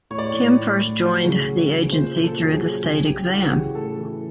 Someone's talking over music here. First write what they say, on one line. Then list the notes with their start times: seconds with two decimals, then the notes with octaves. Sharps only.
Kim first joined the agency through the state exam.
0.10 A2 C#5
0.18 D5
0.26 C#5
0.34 A2
0.56 A2
0.79 A2
1.01 F#3
1.24 C#3
1.47 F#3
1.69 C#3
1.92 A#2 C5
2.15 A#2
2.23 A4
2.38 F#3
2.53 G#4
2.61 F#3
2.83 C#3 G#4
3.06 G3 G4
3.29 E3 F#4
3.52 C#3 G4
3.75 A2 A4
3.98 E3